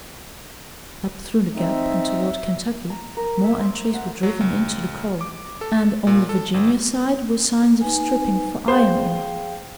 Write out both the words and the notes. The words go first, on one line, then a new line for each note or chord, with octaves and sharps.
Up through the Gap and toward Kentucky, more entries were driven into the coal, and on the Virginia side were signs of stripping for iron ore.
C4 D#4 E5
A#5
A#4
E5
C5
F#5
F#3
C#2
D6
A4
A#2
A4
G1
D#4 B4 G#5
G#4 C5 F5 G5